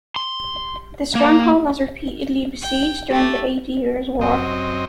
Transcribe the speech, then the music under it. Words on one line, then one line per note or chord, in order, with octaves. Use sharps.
The stronghold was repeatedly besieged during the Eighty Years' War.
C6
A#3
G5
A3 G4
F#2 C4 D#5